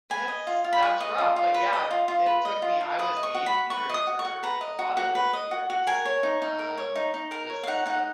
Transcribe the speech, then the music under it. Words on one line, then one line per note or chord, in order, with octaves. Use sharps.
that's that's rough but yeah, it took me I was angry for a lotta those years, um, just 'cause of
B4 G#5
D#5
F4
F4
B5
B4 C#6
D#5
F4
F4
B4
D#5
F4
F4
B4
D#5
F4
F4
B4 D#6
D#5
C#6
F#4
B5
F#4
B4 C#6
D#5 D#6
F#4
C#6
F#4
B4 A#5
D#5
F#4
F#4
B4
D#5
F#4
F#4
A#4 G#5
C#5
D#4
D#4
A#4
C#5
D#4
D#4
A#4 A#5
C#5
F5
D#4 F#5
D#4 F#5